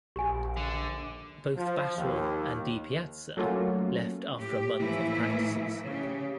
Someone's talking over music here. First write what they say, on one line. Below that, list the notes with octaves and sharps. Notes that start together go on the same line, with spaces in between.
Both Battle and DiPiazza left after a month of practices.
A#1 G4 G#5
D3
F3
D#2
F#3 A3 A#3 C#4 F4 F#4
A2 G4
A2 E3 F3 A3 A#3 E4
C#3 G4